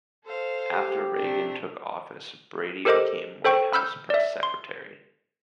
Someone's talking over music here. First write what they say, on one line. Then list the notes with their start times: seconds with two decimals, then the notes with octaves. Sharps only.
After Reagan took office, Brady became White House Press Secretary.
0.24 A4 C5 F5
0.72 G4
1.16 C3 A3 D4
2.85 G4 A4 A#4 C5 D#5 D6
3.45 A4 C5 G5 C#6
3.73 B5 E6 F6 G6
4.10 D5 E5
4.43 C6